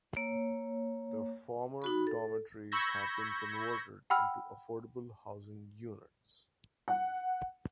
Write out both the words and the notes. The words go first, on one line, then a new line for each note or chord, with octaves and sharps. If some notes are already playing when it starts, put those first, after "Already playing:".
The former dormitories have been converted into affordable housing units.
A#3 C#5
D#4 F#4 B5
A4
B5 C#6 E6 G6 G#6 A#6
F#5 G5 B5 E6 F6
F#5